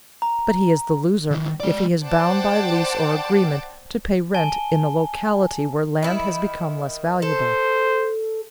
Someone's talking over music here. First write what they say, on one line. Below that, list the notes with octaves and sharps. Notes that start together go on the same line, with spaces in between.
But he is the loser if he is bound by lease or agreement to pay rent in a locality where land has become less valuable.
A#5
D#3 E3
G#3 D5
C5 D5 F#5 G5 A5 D6
G#5 A5 G7
D#3 E4
A4 C5